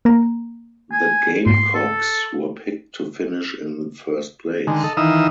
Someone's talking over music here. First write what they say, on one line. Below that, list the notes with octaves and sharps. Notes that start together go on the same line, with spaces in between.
The Gamecocks were picked to finish in first place.
A#3 A#5
G#5
G#2 C6
A4
D3 D#3 G#3
A4 D#5
D#3 E3 D#4 F5 D#6 E6